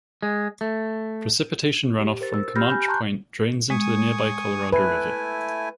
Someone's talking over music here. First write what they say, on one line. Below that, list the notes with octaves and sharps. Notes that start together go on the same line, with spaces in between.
Precipitation runoff from Comanche Point drains into the nearby Colorado River.
G#3
A3
G4
A#4 C5 A6
E6
G4 B5 F6 G6 A#6
G#5 B5 G6
A5 A#5 C6 C#6 F#6 G6
G#3 G#5 C#6 D#6
A3 E4 B4 G#5